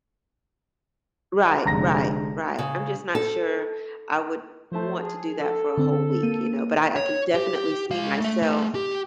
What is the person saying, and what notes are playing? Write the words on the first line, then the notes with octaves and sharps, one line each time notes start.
Right, right, right. I'm just not sure I would want to do that for a whole week, you know? But I I can definitely see myself
F1 D3 G#3 A#5 A#6
C#3
A4
F3 A3 C5 A5
G#4
A4
D3 C4
A#3 D#7
C#5
G4
G#3 F5
A3 E5
A3 G#4
G4